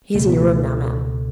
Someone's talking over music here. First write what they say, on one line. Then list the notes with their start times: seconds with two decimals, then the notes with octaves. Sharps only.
He is in your room now, ma'am.'
0.14 C#2 B2 A3
0.29 B3
0.41 A3